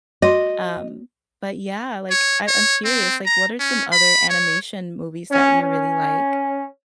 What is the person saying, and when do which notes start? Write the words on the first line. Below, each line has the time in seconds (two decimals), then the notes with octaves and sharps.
Um, but yeah, like, I I'm curious, like, what are some other animation movies that you really like?
0.22 F#4 D#5 C6
2.10 C#5
2.47 C#5
2.84 C4
3.25 A#5
3.59 C#4
3.92 B5
4.29 C#5
5.32 C#4
5.62 C#4